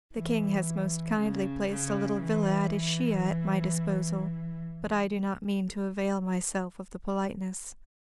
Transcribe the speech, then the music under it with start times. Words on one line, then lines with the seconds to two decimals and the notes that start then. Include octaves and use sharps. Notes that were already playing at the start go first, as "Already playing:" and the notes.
The King has most kindly placed a little villa at Ischia at my disposal; but I do not mean to avail myself of the politeness.
0.14 E3
1.17 C#3
1.69 C#3
2.20 E3
2.72 E3